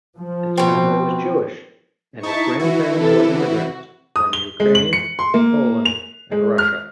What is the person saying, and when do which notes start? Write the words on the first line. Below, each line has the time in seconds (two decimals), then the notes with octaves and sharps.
His family was Jewish, and his grandparents were immigrants from Ukraine, Poland, and Russia.
0.19 F3
0.58 B2 C4
2.23 D#4 E4 A5 C#6
2.59 E3 E4 F#4
2.99 C3 A4 B4
3.39 F#4
4.16 D#6
4.33 G7
4.60 G#3
4.75 F#7
4.93 C#7
5.19 C6
5.34 A#3
5.85 F7
6.32 G#3
6.58 F6